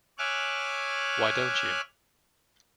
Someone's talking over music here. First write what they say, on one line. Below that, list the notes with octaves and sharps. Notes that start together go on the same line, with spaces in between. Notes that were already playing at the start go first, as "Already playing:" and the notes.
Why don't you?
C#5 E5 G#5 D6 F6 F#6